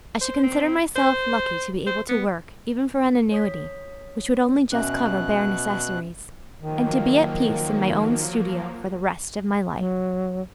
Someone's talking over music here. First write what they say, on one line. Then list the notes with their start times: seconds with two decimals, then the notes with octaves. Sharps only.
I should consider myself lucky to be able to work even for an annuity which would only just cover bare necessaries, and to be at peace in my own studio for the rest of my life.
0.21 C5
0.43 C4
0.96 C5
1.87 C5
2.09 B3
3.32 C#5 D#6 B6
4.72 B2 C#4 E5 G#5 F#6
6.62 D#3 F3 F#3 A#3
9.78 F#3